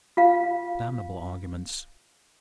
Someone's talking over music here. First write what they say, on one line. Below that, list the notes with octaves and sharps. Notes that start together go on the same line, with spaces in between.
Damnable arguments!
F4 F5